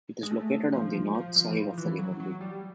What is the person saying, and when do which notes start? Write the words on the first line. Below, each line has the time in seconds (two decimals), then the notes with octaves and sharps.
It is located on the north side of the River Lee.
0.23 G#3
0.31 A3
0.72 F3
1.15 F3
1.36 F3
1.50 E3
1.57 F3
1.78 E3
1.99 F#3
2.20 F#3
2.41 G3